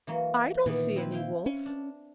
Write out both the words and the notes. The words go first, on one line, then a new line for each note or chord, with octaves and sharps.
'I don't see any wolf.'
E3 F#3 A#3
A#2 D#3 E3 B3
C4 E4 B4
E4 F5 G5
C#4
D4